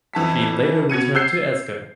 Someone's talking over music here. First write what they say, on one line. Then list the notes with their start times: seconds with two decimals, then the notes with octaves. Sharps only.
She later returned to Asker.
0.13 F2 E3 A5 B6
0.90 B2 G#6 C#7 D#7
1.15 E6 G6 C7